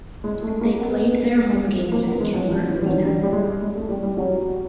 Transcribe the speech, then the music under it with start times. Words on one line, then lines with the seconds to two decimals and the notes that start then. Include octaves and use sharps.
They played their home games in Kemper Arena.
0.24 G#3
0.42 A3
0.61 A#3
0.80 B3
1.92 A#3
2.07 B3
2.20 G#3
2.35 F#3
2.49 F3
2.67 E3
2.82 G3
2.86 F#3
3.05 G3
3.23 G3
3.33 G#3
3.61 G#3
3.75 A3
3.89 G3
4.03 G3
4.17 F#3